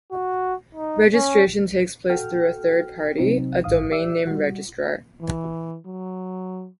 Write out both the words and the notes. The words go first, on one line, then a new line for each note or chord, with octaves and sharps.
Registration takes place through a third party, a domain name registrar.
F#4
D#4
C#4
F#4 A4 G5 F6
C3 F#3 C4 D#4
A1 G#2 D#3 F5 D#6
G4 D5 E5 E6
G3 F#4
E3
F#3